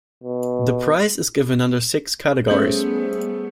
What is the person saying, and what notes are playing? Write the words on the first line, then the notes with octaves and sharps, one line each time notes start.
The prize is given under six categories.
B2
G3 A3 B3 C#4 G#4 C5 G6 F#7